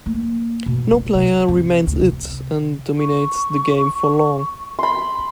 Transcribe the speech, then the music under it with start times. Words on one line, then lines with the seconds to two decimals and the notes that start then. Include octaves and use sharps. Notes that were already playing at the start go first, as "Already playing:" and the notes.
No player remains "it" and dominates the game for long.
0.06 A#3
0.66 B2
0.92 G3
1.14 C3
1.48 F2
1.87 D2
2.00 C3
2.98 C#6
4.79 B5 C6